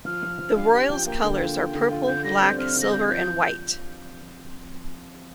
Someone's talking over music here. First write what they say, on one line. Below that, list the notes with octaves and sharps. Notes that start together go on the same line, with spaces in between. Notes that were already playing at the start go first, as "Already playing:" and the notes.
The Royals colors are purple, black, silver, and white.
F3 F6
F3
F3
D4 F5
G4 G5
F3 G5
A#3 G5
D3
F4
F4
D3
F4
D3 G6
G3 A#6
C4 G6
C4 F6
D3
A#6
G4 G6
F3 G6